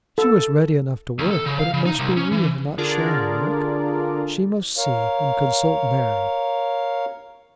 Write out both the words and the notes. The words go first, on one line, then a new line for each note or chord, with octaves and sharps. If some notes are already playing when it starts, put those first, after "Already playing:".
She was ready enough to work, but it must be real, not sham work. She must see and consult Mary!
A4
D#2
A4
C#3
F5
C#3
D#4
C2
C#4
E3
D3 D4 F4 G#4 A#4 D5
A#4 C#5 F5